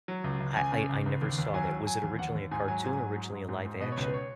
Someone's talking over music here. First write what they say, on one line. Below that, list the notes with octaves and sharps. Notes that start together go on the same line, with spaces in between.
I I I never saw that, was it originally a cartoon or originally a live action?
F#3
C#2
C#2
C#2 G#5
C#3
C#2
C#2
D#2
D#2
F#3 G#5
F#3
F#3 G#5
D#2
D#2 F#5
D#2
G#2 G#5
F#3 G#5
G#2 G#5
F#3
G#2
G#2
G#2
G#2
B2 D#5
C#5
C#2
B4
C#5